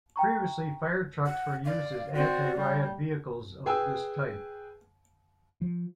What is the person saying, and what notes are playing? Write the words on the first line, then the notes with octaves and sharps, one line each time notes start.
Previously fire trucks were used as anti-riot vehicles of this type.
G5 A#5 C#6
F#5
D5 F5
C4 F#4 D5
G3
G#4 B4 G5 G#5 E6
F3